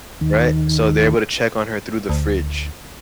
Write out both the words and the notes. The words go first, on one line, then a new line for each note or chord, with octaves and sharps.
right? So, they're able to check on her through the fridge
D#2 D#3
D2